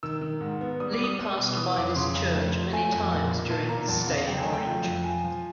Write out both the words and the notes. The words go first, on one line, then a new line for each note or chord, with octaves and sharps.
Lee passed by this church many times during his stay in Orange.
D#3 E6
D#3
G#2
B3
G3 D#6
D6
G3
D#6
G3
B2
E3 D#6
F2 D6
C#3 C6
F2
A3
F3
A3 G#5
F2
A#2
A#2
A#2 A5
A#2 A#5
E2 A5
C#3 F5
F#3 G5
G#5
A3
G5
F3
F2
F3 G#5
F3